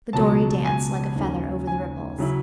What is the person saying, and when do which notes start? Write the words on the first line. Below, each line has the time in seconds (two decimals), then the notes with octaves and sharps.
The dory danced like a feather over the ripples.
0.13 C#2 B2 F#3 A5
0.65 G#5
1.16 D#2 D#3 F#3 C#4
1.67 G#5
2.18 C#3 F#3 C#4 E4